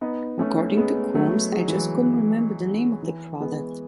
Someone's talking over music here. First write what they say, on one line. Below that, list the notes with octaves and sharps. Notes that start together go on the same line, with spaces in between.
According to Coombs: I just couldn't remember the name of the product.
B3 D#4
A3 C#4
G#3 B3
F#3 A3
G#3
F#3
E3
F#3
E3
G#3 B3